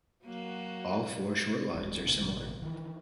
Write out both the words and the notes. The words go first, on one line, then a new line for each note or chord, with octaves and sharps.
All four short lines are similar.
F#3 A#3 F#4
D1 G#3 A3 C#4
A1 B2 D3
D#3 E3